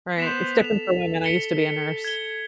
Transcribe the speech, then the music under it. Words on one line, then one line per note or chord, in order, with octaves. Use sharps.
Right, it's different for women, I used to be a nurse.
B3 C5 B6 E7 F7
A4 F7
B6 C#7 G7
G#6 G7